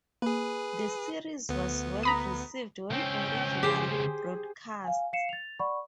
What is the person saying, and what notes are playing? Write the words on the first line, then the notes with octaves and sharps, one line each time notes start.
The series was well-received when originally broadcast.
A#3 G#4 B4
D2 B3
A#5 B5 D#6
C#2 C4 C#4 G5
G4 G#4 C5
F5 G#5
F5 C7 C#7 E7
A6 F7
D5 F#5 B5 C#6